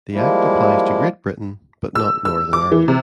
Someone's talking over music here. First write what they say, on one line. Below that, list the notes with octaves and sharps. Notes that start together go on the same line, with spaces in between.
The Act applies to Great Britain but not Northern Ireland.
F3 G3 G#3 A#3 E4
E6
E6
D6
E3
C3